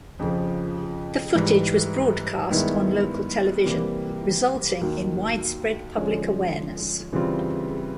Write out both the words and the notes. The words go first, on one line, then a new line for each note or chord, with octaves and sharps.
The footage was broadcast on local television, resulting in widespread public awareness.
F2 C#3 F3
G#2 E3 G3
G2 D#3 G#3 B3 E4
C3 E3 G3 A#3
D#2 D#3 F#3
D3 F3 G#3 C#4
C#3 E3 G3 C4 F4